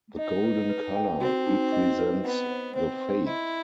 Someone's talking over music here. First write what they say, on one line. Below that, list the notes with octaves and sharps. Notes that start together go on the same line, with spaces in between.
The golden color represents the faith.
D#4 D#5
B4
B4
G5
C4 F#4
D#4
D#5
B4
B3 F#5
C5
C4 C5
C6
E4 D#5